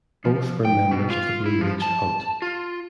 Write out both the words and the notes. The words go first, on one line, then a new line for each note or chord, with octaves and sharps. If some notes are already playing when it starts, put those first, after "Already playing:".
Both were members of the Blue Ridge Hunt.
F3
G5
B2
F4
E4
F3
A5
F4